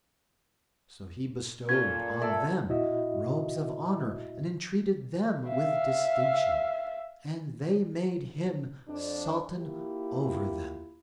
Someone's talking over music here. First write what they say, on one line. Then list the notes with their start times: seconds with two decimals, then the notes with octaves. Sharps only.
So he bestowed on them robes of honor and entreated them with distinction, and they made him Sultan over them.
1.69 A#2 C#4 F4 A4 G#6
2.22 A4 D5 E5
2.69 A#2 E4 F#4 D#5 E5
5.48 E5 F5
8.89 F2 D4
9.58 A#3 E4 F4 G4